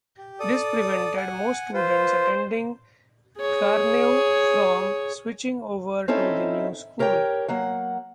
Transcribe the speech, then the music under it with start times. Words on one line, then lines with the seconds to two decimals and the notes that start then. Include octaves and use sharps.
This prevented most students attending Garneau from switching over to the new school.
0.18 G4
0.40 A4 D5 D#6
1.17 F#5 G#5
1.73 F4 B4 C5
3.39 G#4 C#5
6.08 C4 C#4 D#4 E4 A4
6.99 G4 A#4 C#5 F#5 G5
7.48 F#3 A#3 F#5